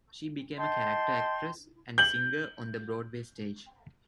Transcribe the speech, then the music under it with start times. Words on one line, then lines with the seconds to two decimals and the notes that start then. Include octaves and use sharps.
She became a character actress and singer on the Broadway stage.
0.58 D#5 G5 A5 C6
1.98 G6 F#7